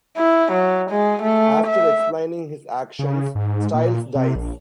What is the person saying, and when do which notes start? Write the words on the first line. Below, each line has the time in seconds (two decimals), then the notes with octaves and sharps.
After explaining his actions, Stiles dies.
0.17 E4
0.52 F#3
0.91 G#3
1.23 A3
1.67 E5
2.99 C#3
3.35 G#2
3.74 A#2
4.15 C3
4.35 A#1